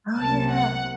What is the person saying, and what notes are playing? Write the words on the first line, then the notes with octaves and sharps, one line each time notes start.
Oh yeah.
C2 C3 F#3 A#3 A5
F#5